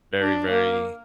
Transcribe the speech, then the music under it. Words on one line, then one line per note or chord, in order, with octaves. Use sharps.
very, very
D4
A#3